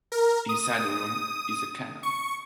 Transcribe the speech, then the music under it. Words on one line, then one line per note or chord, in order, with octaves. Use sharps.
Inside the room is a cannon.
A#4
D#6
C#6